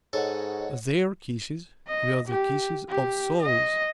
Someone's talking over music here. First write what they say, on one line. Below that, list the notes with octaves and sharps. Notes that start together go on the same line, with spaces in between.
Their kisses were the kisses of souls.
G#2 A4 C#5 D#5 F#5
D#5
G4
G4
D#5